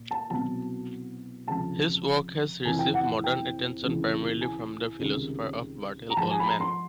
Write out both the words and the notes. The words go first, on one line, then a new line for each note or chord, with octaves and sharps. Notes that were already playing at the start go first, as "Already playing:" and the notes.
His work has received modern attention primarily from the philosopher Bertell Ollman.
Already playing: A#2
A5
C2 B2 F#3 A5
C#2 C3 F3 A5
F2 C3 E3 G#5
G5
F#5
G5
C#2 C3 E3
G#5
C#2 C3 D#3 G3
A#5
G#2 F3 A5
G#5
B5
A#5
C6